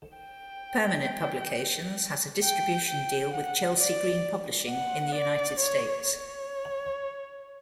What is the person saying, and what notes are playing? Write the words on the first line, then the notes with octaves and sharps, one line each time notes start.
Permanent Publications has a distribution deal with Chelsea Green Publishing in the United States.
G5
G5
G5
F#5
D5
F#5
D5
C#5
C#5